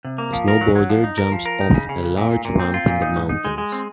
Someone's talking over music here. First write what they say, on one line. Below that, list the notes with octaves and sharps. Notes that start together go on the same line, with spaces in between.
A snowboarder jumps off a large ramp in the mountains.
C3
A#3
F3
A#4
F#3
F#3
F3
D#4
A#4
F3
A#4
D#4
C#3
C#3
F2
A#2
A#2
A#2
C4
F4
A#2
D#4
G#2
D#4
G#3
G#3
C4